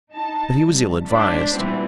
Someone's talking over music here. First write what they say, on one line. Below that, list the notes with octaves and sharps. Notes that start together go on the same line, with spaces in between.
But he was ill-advised.
D#4 A5
C2
G#3 D4 C5 D5 B6
A#2 E3 G3 B3 C4